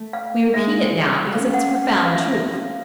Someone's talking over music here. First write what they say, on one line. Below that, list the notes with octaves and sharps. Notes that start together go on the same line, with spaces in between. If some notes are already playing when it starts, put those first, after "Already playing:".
We repeat it now because of its profound truth.
Already playing: A3
F5
G#3 E5
G3
C#4 F5
F#5
F#5
F5
E5
E5
F5